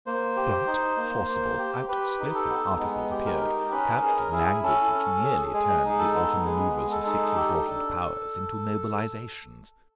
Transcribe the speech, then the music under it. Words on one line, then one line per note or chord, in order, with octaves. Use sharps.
Blunt, forcible, outspoken articles appeared, couched in language which nearly turned the autumn manœuvres of six important Powers into mobilisations.
A#3 C5
G4
D#4
A#3
A#3
G4
G4 B4
D#4
A4
B3
G#3
G4
A#4
D#4
C#4 B4
G#4 A#4
E4 G#4
C#4 A4
C#4
G#4
G#3 G#4
D#4 G#4
A4
B3
G#3 G#4
G#3
A4
D#4
G4 A4
D4